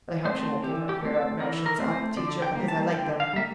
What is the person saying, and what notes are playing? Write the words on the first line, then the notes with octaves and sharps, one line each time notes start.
But I hope she won't give her queer notions up, teacher, because I like them.
A3 C4 C5
E3 G4
G4
A3 C4
A4
E3 A#4
A#4
A3 C4
C5
D3 D5
G5
G3 A#3
A5
D3 G5
F5
G3 A#3 E5